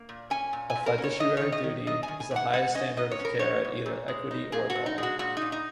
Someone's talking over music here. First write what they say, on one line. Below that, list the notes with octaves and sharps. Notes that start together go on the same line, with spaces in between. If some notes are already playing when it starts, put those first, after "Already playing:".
A fiduciary duty, is the highest standard of care at either equity or law.
Already playing: A#3
A#2
C#4 G#5
A#2
G#5
A#2
A#4
C#4
C#5
D#3 D#5
D#3 C#5
D#5
D#3
D#3 D#5
G#5
D#3
G#5
G#2
F#5
G#3 F#5
C#4 D#5
G#2 D#5
C#5
C#4
A#4
C#4 C#5
G#2
A#2
G#3
D#4
A#2 G#4
F#4
A#2
D#4
G#3
F#4
A#2 F#4
A#2 D#4
D#4